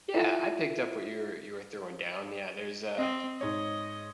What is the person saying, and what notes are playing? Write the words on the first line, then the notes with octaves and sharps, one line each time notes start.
yeah, I picked up what you're you were throwing down, yeah, there's a
E4 F4 A4 E5
C4 D#5
G#2 C#5 D#5